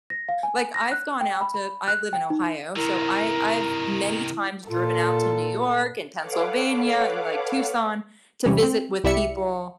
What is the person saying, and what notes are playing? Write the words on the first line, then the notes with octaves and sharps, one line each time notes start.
Like I've gone out to I live in Ohio. So I I've many times driven out to New York and Pennsylvania and like Tucson to visit with people.
A#6
F5
G#5
A#6
F#6
G5
B5
B5
F#6
G5
D#4
C3 D#3 E4 A#4
A#2 F4 A4
A4 B4 C#5 F5 F#5 D6
E2 G2 C3 E3 G3 C#4
C4
C2 E4 G4 D5 E5 C#7